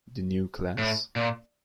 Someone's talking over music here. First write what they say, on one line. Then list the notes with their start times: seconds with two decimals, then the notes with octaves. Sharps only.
The New Class?
0.78 A2
1.16 A#2